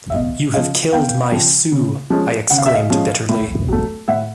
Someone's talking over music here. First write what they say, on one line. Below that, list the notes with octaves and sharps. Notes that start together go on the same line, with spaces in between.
'You have killed my Sue,' I exclaimed bitterly.
E5
E2 D#5 F5
C#3 F3 D#5 F5
E2 F5 G5
C#3 F3
C#3
F3 G#3 C#4
C#3 F#5
F5
E5
D#5 F5
F3 G#3 C#4
A2
F#3 A3
A2 E5 F#5